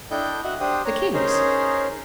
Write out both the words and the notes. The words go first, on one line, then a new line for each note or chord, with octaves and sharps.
The king's.
D4 E4 A4 D#5 G5 G6
F#4 D#5 E5 F#5
D4 G4 C5 G5 D#6
C#5 A#5
C#4 D#4 G#4 A#4 C5 C#5